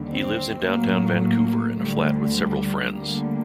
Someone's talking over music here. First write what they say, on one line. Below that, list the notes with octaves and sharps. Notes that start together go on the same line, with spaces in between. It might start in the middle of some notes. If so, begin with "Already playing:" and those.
He lives in downtown Vancouver in a flat with several friends.
Already playing: D#2 D3 G3
C4
A2 F#3 A#3
A#3
D2 D3 G3 A3
G3
D2 D3 G3 A#3